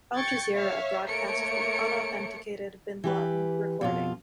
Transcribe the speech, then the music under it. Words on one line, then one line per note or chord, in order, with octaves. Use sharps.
Al Jazeera broadcast the unauthenticated bin Laden recording.
G5 C#6 G#6 A6 C#7
C#5 E5 F5
A3 A#3 C#5 C#7 D7
E3 G4 B4
F2 B2 F4